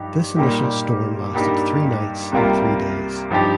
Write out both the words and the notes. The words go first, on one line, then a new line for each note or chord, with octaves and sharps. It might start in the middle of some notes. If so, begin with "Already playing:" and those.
This initial storm lasted three nights and three days.
Already playing: G2 F3 D#4 G4
A#2 G3 A#3 D#4 G4
G2 G3 A#3 D#4 G4
C2 C3 G3 A#3 F4
G2 F3 D#4 G4